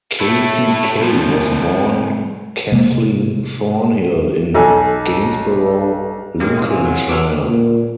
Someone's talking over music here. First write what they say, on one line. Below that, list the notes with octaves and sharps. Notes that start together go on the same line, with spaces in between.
Kathie Kay was born Kathleen Thornhill in Gainsborough, Lincolnshire.
A3 E4
C2 F3
C3 G#3 A#3
B1 A4 G#5
D#3 G#3 A#3 E4 C#5 F6
C3 F5 C6 E6
E3 G#5
F#3 A4
F#3 D6 E6 F6
A#2